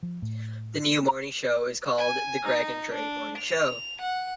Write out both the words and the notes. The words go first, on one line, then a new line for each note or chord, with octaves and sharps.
The new morning show is called the "Greg and Dre Morning Show".
F3
A2
G#5
D#4
D4
F7
F#5